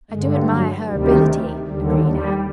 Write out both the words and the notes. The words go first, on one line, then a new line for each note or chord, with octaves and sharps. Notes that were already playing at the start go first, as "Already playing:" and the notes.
"I do admire her ability," agreed Anne.
G2 D3 G#3
F#3
D2 C3 D#3 G3
D#2 D3 G3
G3